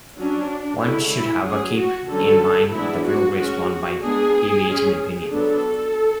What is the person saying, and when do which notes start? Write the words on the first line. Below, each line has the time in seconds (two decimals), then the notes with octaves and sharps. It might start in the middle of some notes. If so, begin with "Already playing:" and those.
One should however keep in mind the real risk run by deviating opinion.
0.18 F#3 C#4 D4
0.82 D3 G#3 C#4 E4
1.14 E4
1.46 F#3 C#4 G#4
1.78 F#4
2.10 D3 F#3 C#4 A4
2.74 E3 G#3 B3 D4 E4
3.06 F#4
3.38 G#3 C#4 F#4
3.70 F#4
4.02 G#3 B3 D4 G#4
4.66 G#3 C#4
5.30 F#3 B3 D4 A4